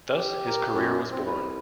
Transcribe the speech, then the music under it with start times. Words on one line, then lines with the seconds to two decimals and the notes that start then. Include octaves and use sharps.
Thus, his career was born.
0.14 G4
0.47 A#4
0.74 F#2
1.11 C4
1.25 C2 B4